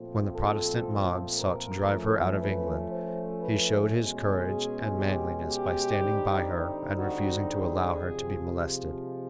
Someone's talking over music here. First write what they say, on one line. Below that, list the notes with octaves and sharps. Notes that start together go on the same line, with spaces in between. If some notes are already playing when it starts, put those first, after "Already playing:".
When the Protestant mobs sought to drive her out of England he showed his courage and manliness by standing by her and refusing to allow her to be molested.
Already playing: A#2 F3 A3 C4
A4
A#4
F3 A3 C#4
B4
C5
B4
B2 G#3 C#4
G#4
G4
G4
D3 G3 C4 D#4
F#4
G#4
C3 F3 G#3